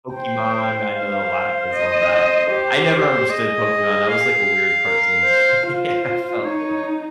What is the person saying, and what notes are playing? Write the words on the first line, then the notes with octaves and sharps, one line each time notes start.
Pokemon, I know a lotta kids love that. I never understood Pokemon, that was, like, a weird cartoon to me, I felt like
C5 G5
F5
D#5
G4
G#4 D#5
F5
A#4
C5
F4 C5
D#4 C#5